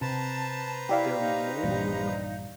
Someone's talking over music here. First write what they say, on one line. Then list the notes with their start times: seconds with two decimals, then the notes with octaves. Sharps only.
they're more
0.01 C3 B4 C5 A5 A#5
0.89 E4 G4 D5 F5
1.19 D#4
1.63 A#1 E2 G2